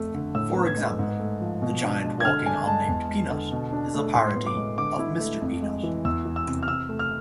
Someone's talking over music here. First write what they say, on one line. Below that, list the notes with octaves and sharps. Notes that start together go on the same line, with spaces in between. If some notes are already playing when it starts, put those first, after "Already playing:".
For example, the giant walking unnamed peanut is a parody of Mr. Peanut.
Already playing: F2 A3
D3
A2 E6
B3
G#6
G#3
G#2
A3
F3
B2
D4
G#3
G#6
D3 F6
D4 G#5
G#3 A5
E2
G#3
D3
B2
D4
A3
A2 C6
B3
D6
G#3
D3 D6
E4
A3
F2
G#3
E3
E2 E6
E3
E6
C3
F6
C3 E6
A3
F6